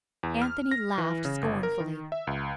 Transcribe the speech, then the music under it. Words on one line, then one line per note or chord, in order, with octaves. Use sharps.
Anthony laughed scornfully.
E2
F6
A#6
E3
C#3
G1
A#4
D#3
E5
C#2